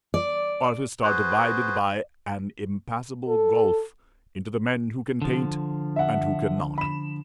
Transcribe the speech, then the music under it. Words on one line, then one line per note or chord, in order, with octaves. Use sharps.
Artists are divided by an impassable gulf into the men who can paint, and who cannot.
D5
F#4 G#4 B4 C5
A4
D3 F3
E5 F#5
B5 E7